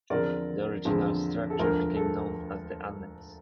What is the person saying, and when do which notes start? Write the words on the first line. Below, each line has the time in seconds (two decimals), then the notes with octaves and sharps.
The original structure became known as the annex.
0.10 E2 D3 F3 C4 A#4 D5
0.85 E2 D3 F3 C4
1.50 A4
1.59 E1 D2 D3 F3 A#4
1.96 A4